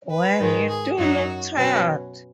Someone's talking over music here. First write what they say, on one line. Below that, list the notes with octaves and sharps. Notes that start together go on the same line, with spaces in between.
Well, you do look tired.
B4
G#2 D#3 G#3
G#4
F#2 F#3 D#4 F#4
B2 F#3 C#4 B4